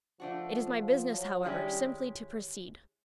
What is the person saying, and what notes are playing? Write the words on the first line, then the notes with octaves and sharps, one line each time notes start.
It is my business, however, simply to proceed.
F3 A3 D4 F#4
F3
F3
F#3
D#3 G3 G#3 C#4 E4 G4